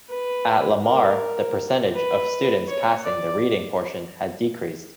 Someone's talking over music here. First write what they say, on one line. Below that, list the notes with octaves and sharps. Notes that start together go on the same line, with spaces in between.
At Lamar the percentage of students passing the reading portion had decreased.
B4
A#4
B4
C#5
D5